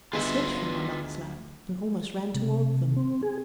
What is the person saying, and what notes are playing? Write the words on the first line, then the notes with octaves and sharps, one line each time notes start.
I slipped from my mother's lap and almost ran toward them.
G1 D2 G#3 F4 B4 E5
C3
C4
G#4